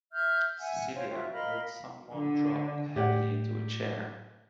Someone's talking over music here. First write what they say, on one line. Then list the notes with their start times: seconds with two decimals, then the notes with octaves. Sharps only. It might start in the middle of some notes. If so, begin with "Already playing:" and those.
Celia heard some one drop heavily into a chair.
0.12 E5 F6 G6
0.58 E5 F#5 G#5
0.95 C5 C#5 F5 G5
1.11 F4 F#4 C5 E5
1.32 A#4 D#5 F5 B5
2.13 D3
2.96 A2 G4 D5 F#5